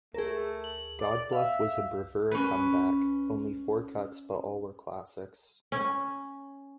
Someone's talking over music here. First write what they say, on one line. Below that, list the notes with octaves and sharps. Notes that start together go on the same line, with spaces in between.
"Godbluff" was a bravura comeback - only four cuts, but all were classics.
A3 G#4 A#4
F#7
D5
E5 F5
C#4 B4
C#4